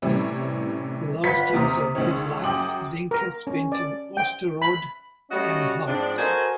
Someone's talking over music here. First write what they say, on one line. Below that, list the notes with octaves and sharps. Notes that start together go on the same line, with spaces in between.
The last years of his life Zenker spent in Osterode am Harz.
A2 C3 E3 G3 C#4 E4
G1 F4 B4 B5 B6
D#2 C3 C5 A#5 D#6 F6
C#2 D#3 C#4
F#2 G5 D6 D#6 F#7
A#4
C#4
D5
G5
B5
G3 A3 C#4 F#4 C#5 D#5
G#2 F3 C4 D4
F#4 A4 A#4 C5 D#5 G#5